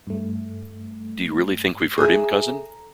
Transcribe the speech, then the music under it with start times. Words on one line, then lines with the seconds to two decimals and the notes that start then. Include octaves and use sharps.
Do you really think we've hurt him, cousin?
0.07 G2 A3
1.98 G#4 A4 E5 A#5